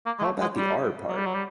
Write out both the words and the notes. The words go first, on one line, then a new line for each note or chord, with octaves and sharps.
How about the R part?
A#3
G#3
A3
G#3
G3
F#3
G3
F#3
G3